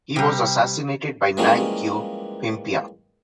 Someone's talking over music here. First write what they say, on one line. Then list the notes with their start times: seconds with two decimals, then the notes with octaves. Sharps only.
He was assassinated by Nang Keo Phimpha.
0.16 C3 G3
1.37 E3 F3 G3 G#3 A#3 C#4